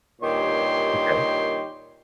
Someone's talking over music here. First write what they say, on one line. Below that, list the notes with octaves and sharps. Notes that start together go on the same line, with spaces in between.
Mm, okay.
G2 A#2 D#3 G4 C#5 C6